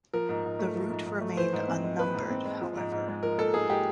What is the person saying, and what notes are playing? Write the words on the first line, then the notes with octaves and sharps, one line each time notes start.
The route remained unnumbered however.
F3 A#4
G#2
G#2
A3
F3
G#2
G#2
A3
E3 C5
G#2
C4
G#3
E3 B4
G#2
C4
G#3
F3
G#2
G#2
G#3
F3 A#4
G#2 A4
G#2 G#4
G#3 G4